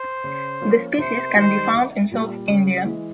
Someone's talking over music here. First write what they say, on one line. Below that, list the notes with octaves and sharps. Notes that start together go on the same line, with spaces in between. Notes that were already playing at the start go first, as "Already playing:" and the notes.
This species can be found in South India.
Already playing: C5
C#3
F3 A#3 C#4 F4
C3 C5
D#3 G3 C5
C2
A#2 G3
C#3
E3 G#3